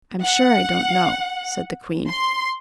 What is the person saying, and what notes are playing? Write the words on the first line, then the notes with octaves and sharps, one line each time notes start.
"I'm sure I don't know," said the queen.
F#5
C6